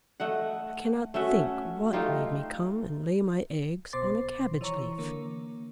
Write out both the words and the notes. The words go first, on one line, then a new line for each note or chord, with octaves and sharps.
I cannot think what made me come and lay my eggs on a cabbage-leaf!
A3 D#5 F#5
A3 C#4 F#4 E5
A3 D#4 F4 G4
C2 B2 C5 C6 D6 A6
E3 C#5 A#5 C#6
D3 A#3